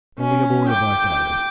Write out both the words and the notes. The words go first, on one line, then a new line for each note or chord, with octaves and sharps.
'Only aboard the Black Diamond.
C#4
G5 D6